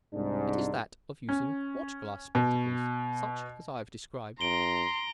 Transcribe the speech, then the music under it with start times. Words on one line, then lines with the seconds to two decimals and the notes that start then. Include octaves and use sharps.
It is that of using watch-glass spectacles such as I have described.
0.13 C2 G#2 D4
1.29 C#4
2.35 B2
4.41 F2 A#5 C6 D7 G7